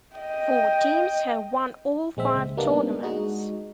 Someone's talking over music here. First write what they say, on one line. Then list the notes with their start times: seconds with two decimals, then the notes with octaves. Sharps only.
Four teams have won all five tournaments.
0.17 D#5 G5
2.17 A#1 G#3 C4 E5
2.34 C#2
2.57 G3 A#3 B3 D4 D#4
3.03 G#3 D#4 F#4